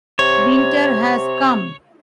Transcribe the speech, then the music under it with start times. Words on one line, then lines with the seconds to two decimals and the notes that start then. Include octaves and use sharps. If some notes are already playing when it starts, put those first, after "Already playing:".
Winter has come.
0.19 C3 C#5